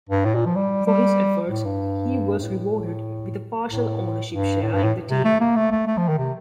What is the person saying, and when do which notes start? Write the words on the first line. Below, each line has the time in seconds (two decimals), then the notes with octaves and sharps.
For his efforts, he was rewarded with a partial ownership share in the team.
0.09 G2
0.25 A2
0.35 A#2
0.46 F3
0.56 G3
0.87 G3
1.49 A2
1.65 G2
2.39 G2
2.43 A2
3.69 A2
4.31 G2
4.63 A2
4.73 G2
4.83 A2
5.09 C3
5.25 A3
5.41 A#3
5.56 A3
5.72 A3
5.87 A3
5.98 F3
6.08 D#3
6.18 C3